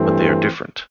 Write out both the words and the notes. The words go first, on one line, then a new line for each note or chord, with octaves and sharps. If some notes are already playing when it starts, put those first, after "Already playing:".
But they are different.
Already playing: G2 E3 A3 C4